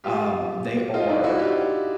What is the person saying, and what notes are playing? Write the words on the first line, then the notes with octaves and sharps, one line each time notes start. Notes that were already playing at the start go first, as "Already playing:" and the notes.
um, they are
F4 G4
D#4 F4
D4 E4
E4 F#4
F4 G4